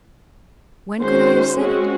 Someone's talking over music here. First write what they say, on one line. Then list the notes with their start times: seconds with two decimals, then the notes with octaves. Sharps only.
"When could I have said it?"
1.00 D#3 G#3 C#4 F#4 C5
1.59 G#3 C4 C#4 F#4 G#4